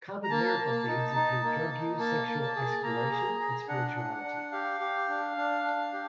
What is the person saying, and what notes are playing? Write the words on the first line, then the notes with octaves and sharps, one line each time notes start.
Common lyrical themes include drug use, sexual exploration, and spirituality.
A#5
A#3 A5
A#3
D#4
D#4
A#3
D#4
A#3 A5
A#3
A5
G#4
A#3 A#5
G#4
G#4
D4 F#5
D4
D4
G4 F5
G4
D4
D4
D4
G4